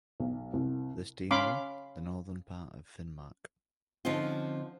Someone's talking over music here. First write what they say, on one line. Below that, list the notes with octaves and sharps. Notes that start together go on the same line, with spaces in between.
This deanery the northern part of Finnmark.
B1
C2
C#4 F5 B5 C6 D6
D3 F3 C4 C#4 D#4 F4